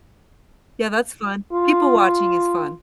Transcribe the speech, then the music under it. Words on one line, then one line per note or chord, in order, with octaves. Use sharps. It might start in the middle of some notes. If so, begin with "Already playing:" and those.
Yeah, that's fun. People watching is fun.
F4